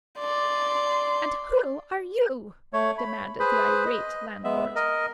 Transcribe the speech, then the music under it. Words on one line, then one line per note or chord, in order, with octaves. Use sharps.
"And who are you?" demanded the irate landlord.
D5 C6
A3 C#5
B5
G#4 B4 C5 B5
D#5
G#3 B3 E5
A#4 D#5